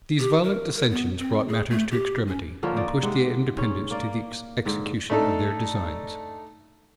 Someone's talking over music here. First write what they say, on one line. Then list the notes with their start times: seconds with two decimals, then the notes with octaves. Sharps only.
These violent dissensions brought matters to extremity, and pushed the Independents to the execution of their designs.
0.20 G4
0.43 A#4
0.76 A#4
0.91 B3
1.19 C4
1.48 G#4
1.70 A3
1.91 G4
2.27 C#4
2.63 D3 F3 A#3 C#4
2.77 D#4 D5
3.03 C3 G#3 F#5
3.57 G#2 C#4
3.91 A#3 D5
4.65 G#2 D3
5.10 A3 D4 D#4 A4